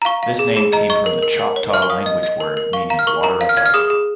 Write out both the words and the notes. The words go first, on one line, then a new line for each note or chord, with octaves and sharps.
This name came from the Choctaw language word meaning water above.
A#5
F5 C#6
F5
G#4
G#4
D#5 A#5
D#5 C#6
A#4
A#4
A#4
C#5
A#4 F6
C#6
F5 D#6
D#5
D#5
A#4
A#4
F5 C#6
F5 A#5
F6
A#4 C#6
A#4 A#5
F5
F6
F5 G#6
F6
G#4 D#6
G#4